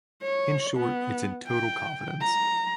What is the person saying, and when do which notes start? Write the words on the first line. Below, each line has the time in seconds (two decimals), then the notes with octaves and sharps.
In short, it's in total confidence.
0.23 C#5
0.77 B3
1.47 G5
2.22 A#5